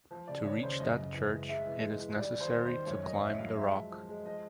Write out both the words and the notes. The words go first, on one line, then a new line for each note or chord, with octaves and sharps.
To reach that church it is necessary to climb the rock.
F3
C#3 D5
D#2 C#5
C#3 C5
F#2 D#5
F#2
E3
G#3
G#3 E5
E3
G#3
E3
G3 D5
D#2 C5
D#2
D#3 C5
F#2 C#5
F#2 D#5
D#3 E5
F#3 F5
G#3 E5
F3
F3
G#3
F3 D#5